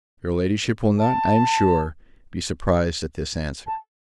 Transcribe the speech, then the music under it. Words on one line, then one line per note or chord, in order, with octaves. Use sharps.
Your Ladyship will not, I am sure, be surprised at this answer.
A5
A5